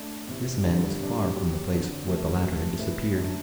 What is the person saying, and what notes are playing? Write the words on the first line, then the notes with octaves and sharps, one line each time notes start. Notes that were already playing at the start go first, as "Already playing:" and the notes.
This man was far from the place where the latter had disappeared.
Already playing: A3 D4
E2 C3 E3
G2 D3 G3
C3 G3 D4
F#3 C4 G4
E2 D3 F#3 C4
F#2 F#3 A3
C3 F#3 A3
A2 E3 B3 E4 A4
F#2 D3 A3 D4 G4